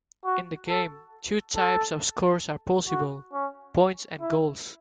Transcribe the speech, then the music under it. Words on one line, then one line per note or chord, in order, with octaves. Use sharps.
In the game, two types of scores are possible: points and goals.
F#4
A4
A4
F#4
C#4
E4